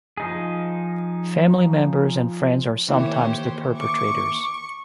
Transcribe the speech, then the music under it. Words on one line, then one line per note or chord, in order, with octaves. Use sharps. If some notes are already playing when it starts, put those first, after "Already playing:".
Family members and friends are sometimes the perpetrators.
F3 D#4 G#4
D#3 E3 A#3 G4 C5 C#5
C#6 D6